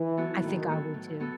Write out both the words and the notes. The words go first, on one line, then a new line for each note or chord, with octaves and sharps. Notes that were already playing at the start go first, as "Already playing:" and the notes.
I think I would too.
Already playing: E3
F#3 B3 F#4 A4
A2 D#3
F#3 B3 F#4 A4
A2
F#3 B3 F#4 A4